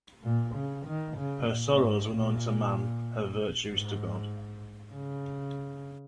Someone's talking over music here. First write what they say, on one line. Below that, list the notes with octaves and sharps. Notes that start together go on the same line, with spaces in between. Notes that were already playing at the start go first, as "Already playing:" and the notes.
Her sorrows were known to man; her virtues to God.
A#2
C#3
D#3
C#3
A#2
G#2
A#2
G#2
C#3